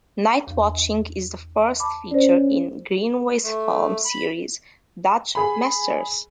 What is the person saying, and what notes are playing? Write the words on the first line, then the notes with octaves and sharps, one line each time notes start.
"Nightwatching" is the first feature in Greenaway's film series "Dutch Masters".
E2
A5 B5 D6
C#4 C5 D5
A3
B5
G#4 B5